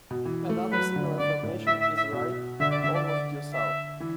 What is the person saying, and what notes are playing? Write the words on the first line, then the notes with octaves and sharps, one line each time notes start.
Another similar formation is Wright almost due south.
B2
E3
A3
F#3 B4
D3
D3 D5
A2
E5
E5
E5
B2
D3 E5
D5
D3 E5
D5
D5
E5
E3